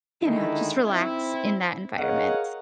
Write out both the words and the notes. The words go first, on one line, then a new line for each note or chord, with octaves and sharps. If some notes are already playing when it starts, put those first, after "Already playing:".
you know, just relax in that environment.
D3 D#3 G#3 D#4 E4
C4 E4
G#4 A#4 C#5 D#5 F5 F#5